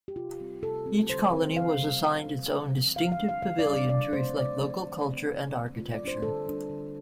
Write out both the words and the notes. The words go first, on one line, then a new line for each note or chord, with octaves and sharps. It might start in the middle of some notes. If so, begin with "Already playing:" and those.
Each colony was assigned its own distinctive pavilion to reflect local culture and architecture.
G4
C3 F4
G3 C4
C3 A4
G3 C4
D3 C5
G3 C4
D3 F5
G3 C4
C3
F3 C4
C3
F3 C4
D3 F5
F5
G3 D4
F5
D3 F5
D5
G3 D4
D5
C3 D5
F3 A3 C4 C5
C3 D5
F3 A3 C4
D3
A3 C4
D3
A3 C4
D3 F4
D5
G3
D4 C5
D3 A4
G3 D4
D3